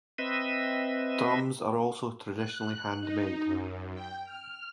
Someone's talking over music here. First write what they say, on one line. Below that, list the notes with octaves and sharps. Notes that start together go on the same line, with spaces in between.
Drums are also traditionally handmade.
C4 B4 D#5 E5
F#6
D#4
F#2
G5
F6